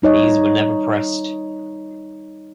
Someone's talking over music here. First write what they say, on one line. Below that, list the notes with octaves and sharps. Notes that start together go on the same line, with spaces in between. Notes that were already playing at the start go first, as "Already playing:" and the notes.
These were never pressed.
G3 D#4 C#5 D#5